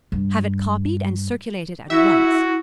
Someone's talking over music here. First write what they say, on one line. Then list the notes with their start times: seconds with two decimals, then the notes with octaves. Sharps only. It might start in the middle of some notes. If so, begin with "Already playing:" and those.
Have it copied and circulate it at once.
0.12 G2
1.90 E4 F#4 E5